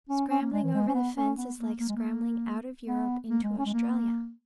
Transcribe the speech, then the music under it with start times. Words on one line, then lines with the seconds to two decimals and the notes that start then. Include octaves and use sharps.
Scrambling over the fence is like scrambling out of Europe into Australia.
0.09 C#4
0.30 C#4
0.41 A#3
0.52 G#3
0.63 E3
0.74 G#3
0.88 C#4
0.94 B3
1.16 C#4
1.37 B3
1.58 A#3
1.79 A#3
1.88 G#3
1.95 A#3
2.87 B3
3.30 A#3
3.43 G#3
3.58 C#4
3.66 G#3
3.73 A#3